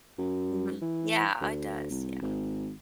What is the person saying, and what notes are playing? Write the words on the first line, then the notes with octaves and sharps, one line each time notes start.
Mhm yeah, it does, yeah.
F#2
E3
D2
C2
G#1